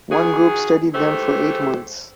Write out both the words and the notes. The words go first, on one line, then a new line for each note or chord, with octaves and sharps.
One group studied them for eight months.
D#3 F#4 G#4
G#2 E3 A3 G4 C5